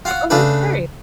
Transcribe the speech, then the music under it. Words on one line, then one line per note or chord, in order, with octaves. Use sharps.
Oh, that's great.
F4 F#4
C#3 A3 D4 B4